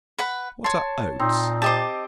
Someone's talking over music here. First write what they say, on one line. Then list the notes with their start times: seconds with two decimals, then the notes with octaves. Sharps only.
What are Oats?
0.18 B4 F#5 B5
0.64 C#5 A5 C6
1.19 A#2 C4 D#4
1.62 G4 C5 D#5 A5 D6